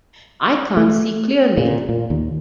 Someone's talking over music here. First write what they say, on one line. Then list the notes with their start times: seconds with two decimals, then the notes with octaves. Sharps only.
I can't see clearly.
0.77 A3
1.58 A#2
1.89 A#2
2.10 D#2